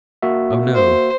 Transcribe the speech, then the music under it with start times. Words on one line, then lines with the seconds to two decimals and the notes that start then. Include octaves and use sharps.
"Oh, no."
0.22 A#3 F#4 E5
0.74 C5